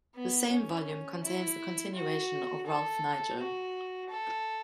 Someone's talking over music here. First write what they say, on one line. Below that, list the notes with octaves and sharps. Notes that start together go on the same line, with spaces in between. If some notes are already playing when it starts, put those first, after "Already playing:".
The same volume contains the continuation of Ralph Niger.
B3
C#4
E4
F#4
A4
F#4
A4